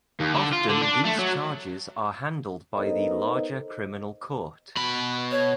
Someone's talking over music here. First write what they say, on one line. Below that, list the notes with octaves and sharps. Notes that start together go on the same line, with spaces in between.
Often these charges are handled by the larger criminal court.
D#2
D3
F4
D3
D4
A3
F#3
B3 D#4 A4 A#4 C5 D#5
B2 B5
C#5